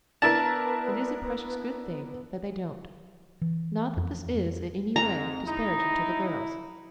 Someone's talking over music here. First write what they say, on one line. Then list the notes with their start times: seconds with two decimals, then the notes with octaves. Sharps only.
It is a precious good thing that they don't.--Not that this is in any way disparaging to the girls.
0.22 B3 D4 E4 A#4 A5
3.41 E3
3.97 F2
4.96 F2 G#2 A#5
5.46 D#4 E4